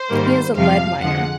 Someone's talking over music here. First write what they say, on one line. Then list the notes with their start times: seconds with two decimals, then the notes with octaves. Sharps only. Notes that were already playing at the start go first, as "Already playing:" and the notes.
He is a lead miner.
Already playing: C5
0.10 G#2 D#3 G3 A#3
0.56 F2 C3 F3 F5
1.01 F2 D3 F3 G#3 F#5